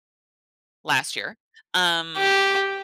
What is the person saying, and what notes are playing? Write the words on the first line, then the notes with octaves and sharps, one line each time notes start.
last year. Um,
G4